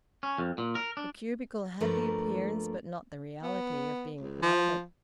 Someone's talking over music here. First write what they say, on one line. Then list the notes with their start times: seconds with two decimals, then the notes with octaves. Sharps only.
The cubicle had the appearance, but not the reality, of being private.
0.23 C#4
0.38 F2
0.58 A#2
0.75 A#4
0.97 D4
1.81 G2 F3 A3 A#3 A#4 B4
3.43 B3
4.20 C#2
4.42 F3